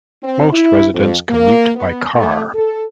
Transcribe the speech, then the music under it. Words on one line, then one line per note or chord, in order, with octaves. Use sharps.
Most residents commute by car.
C4
E4
F2
A#3
B3
A3
A4